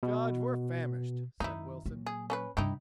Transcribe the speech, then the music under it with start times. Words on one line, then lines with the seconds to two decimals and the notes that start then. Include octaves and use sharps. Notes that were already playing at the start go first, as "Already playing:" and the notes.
"Judge, we're famished," said Wilson.
0.03 B2
1.40 F#2 D#3 D#4 E4
1.86 A#2 F#3
2.06 G#4
2.30 C#4 A4 B4
2.57 G2 C3 D#4 E4 G4